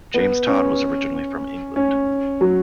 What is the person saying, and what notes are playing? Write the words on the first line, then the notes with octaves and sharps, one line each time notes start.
James Todd was originally from England.
B3
C#4
C#4
F#3